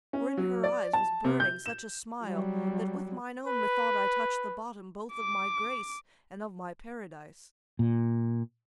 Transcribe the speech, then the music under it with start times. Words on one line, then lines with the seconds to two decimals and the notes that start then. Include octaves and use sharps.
For in her eyes was burning such a smile That with mine own methought I touched the bottom Both of my grace and of my Paradise!
0.13 C#4
0.37 F#3
0.64 D5
0.93 A5
1.25 C3
1.40 G6
1.66 E7
2.25 F#3 G3
3.47 B4
5.14 D6
7.79 A#2